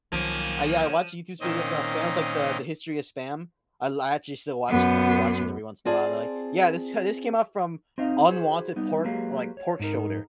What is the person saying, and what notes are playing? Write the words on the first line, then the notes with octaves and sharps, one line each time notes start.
Uh, yeah, I watched YouTube videos about Spam, it's like the the history of Spam. I'll actually still watching, I'm rewatching every once in a while, they're like, "Yeah, this h this came up from unwanted pork, like pork shoulder"
C2 D#3 F3 F#3 A#3 C#4 D#7
A#2 D#3 C4 C#4 D#5
F#2 B3
C4 F4 G#4 D5 A5
C4 D#4 D#5 F5
E4 F#4 G#4 C5
G3 B3 D#4
F#3 G#3 A#3 G4 B4 F5
C#5
G#2 D#4 A#4